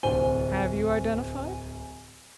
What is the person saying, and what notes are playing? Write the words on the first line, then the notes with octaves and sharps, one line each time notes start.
'HAVE you identified?'
D1 C2 C5 G#5 G7